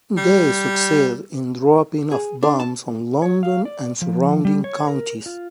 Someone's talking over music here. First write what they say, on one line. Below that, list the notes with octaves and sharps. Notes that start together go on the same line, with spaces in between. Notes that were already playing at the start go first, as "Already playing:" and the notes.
They succeeded in dropping of bombs on London and surrounding counties.
G3
G#4
D4
A5
C#5
F5
D5
F3
G3
C#5
A#4
F4